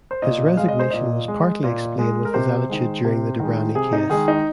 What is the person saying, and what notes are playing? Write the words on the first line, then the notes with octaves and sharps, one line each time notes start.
His resignation was partly explained with his attitude during the Dibrani case.
C5
A#2 D#5
G#3 F5
D#5
C5
A#2 D#5
G#3
A#2
G#3
A#4
C3 C5
D#3 G#3
C3
D#3 G#3
C3 G#4
D#4
D#3 G#3 G#4
D#4